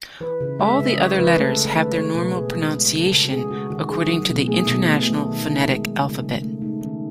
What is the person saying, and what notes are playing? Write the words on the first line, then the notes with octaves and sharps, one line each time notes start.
All the other letters have their normal pronunciation according to the International Phonetic Alphabet.
E3 B4
C#3
G#3 E5
C#3 E5
D#5
E3 C#5
C#3 B4
A3 A4
C#3 A4
A3 B4
A3 C#5
B2 B4
B2 G#4
G#3 E4
G#3
C#3 A4
C#3
F#4
G#3 G#4
G#3 F#4
D#3 F#4
D#3 G#4
F#3
B2
A3 G#4
B2
A3
A3
D#3
D#3
G#3
G#3
C#3
C#3
A3
A3 D#4
D#3 C#4